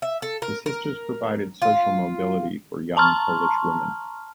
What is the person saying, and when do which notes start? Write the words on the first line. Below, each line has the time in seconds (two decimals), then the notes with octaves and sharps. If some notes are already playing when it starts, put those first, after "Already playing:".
The sisters provided social mobility for young Polish women.
0.02 E5
0.22 A4
0.42 A#4
0.66 A#4
1.62 F4
2.97 A5 A#5 C6 C#6 F6